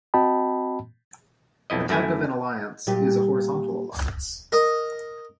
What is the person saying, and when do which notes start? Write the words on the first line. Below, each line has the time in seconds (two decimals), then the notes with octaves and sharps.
A type of an alliance is a horizontal alliance.
0.14 C4 F#4 D#5 G5 A5 B5
1.70 B1 F2 E4 D#5
1.89 F#2 A3 E4 G#5
2.87 A#2 G3 G4
4.52 A#4 D#5